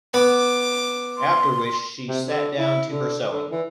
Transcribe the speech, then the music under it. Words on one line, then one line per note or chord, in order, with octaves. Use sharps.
After which she sat down to her sewing.
B3 D6
C6
C3
D3
E4
D3
D3
E3